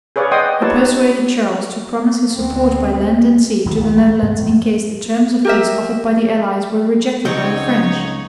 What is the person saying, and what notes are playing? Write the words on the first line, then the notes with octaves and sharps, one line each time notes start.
He persuaded Charles to promise his support by land and sea to the Netherlands in case the terms of peace offered by the allies were rejected by the French.
G#4 B4 C#5 D5 F5
D5 D#5 F#5 G5 C6 D#6
D#4 F4 G4 B4 C#5 A5
D2 B3 C4
D#1 D#3 E3
G#1 D#2 E3
A1
A3
G2 B3
D1 F2 A#2
G4 A#4 E5
C#2 C4 D#4 C#5 F#5 G5